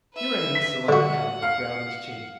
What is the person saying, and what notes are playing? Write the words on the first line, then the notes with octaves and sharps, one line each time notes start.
"You are an insolent cub," growled his Chief.
B4 E5
B6
D3 F#4 F#5
F5 F6